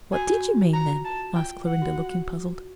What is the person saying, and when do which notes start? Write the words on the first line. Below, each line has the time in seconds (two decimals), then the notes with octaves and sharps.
"What did you mean, then?" asked Clorinda, looking puzzled.
0.12 F#4 G#5
0.33 F#4
0.54 F4
0.74 A#5
1.05 A5
1.35 F4 G5
1.66 F#5
1.82 F#4
1.96 F#4